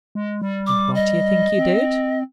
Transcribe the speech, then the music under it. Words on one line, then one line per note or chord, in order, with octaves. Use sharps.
And what do you think he did?
G#3
G3
D6
D#5
C4